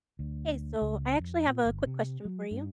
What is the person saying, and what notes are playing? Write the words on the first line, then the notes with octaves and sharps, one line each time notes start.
Hey, so I actually have a quick question for you.
D2
C#2
F2
A#2
G1
C3
F#3
G2